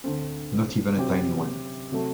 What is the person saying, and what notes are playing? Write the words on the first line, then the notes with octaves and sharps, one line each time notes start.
Not even a tiny one.
D2 D3 A3 C4
C3 F#3 C4 G4
C3 F#3 A3